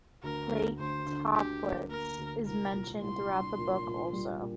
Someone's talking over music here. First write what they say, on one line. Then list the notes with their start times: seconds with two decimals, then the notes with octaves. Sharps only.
Lake Toplitz is mentioned throughout the book also.
0.23 D2 A#4
0.51 D2
0.79 D2 C5
1.07 D3
1.34 D2 G4
1.62 A#3
1.90 A#3 A#4
2.18 D2
2.46 C2 A#4
2.73 A#2
3.02 C2 C6
3.29 D4
3.57 A#2
3.86 A#2
4.13 G3
4.41 A#2